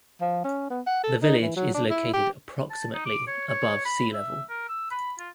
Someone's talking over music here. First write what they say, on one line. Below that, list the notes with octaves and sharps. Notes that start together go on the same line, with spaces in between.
The village is located approximately above sea level.
F3
C#4
B3
F#5
A4
D#4
E3
F#3
D4
E4
G4
A5
D#4
D6
C#5
C#5
B5
E5
A#4
E6
B5
F4